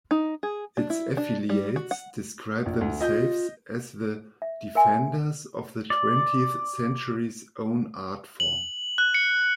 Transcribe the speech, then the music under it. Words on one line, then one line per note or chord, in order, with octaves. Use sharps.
Its affiliates describe themselves as "the defenders of the twentieth century's own art form".
D#4
G#4
D4
E4
D4
G3
F#4
F#5
A#1
D2
F4 D#5 G6
E5
A#4 E5 G#5 C6
D5
F#7
F#6
C#7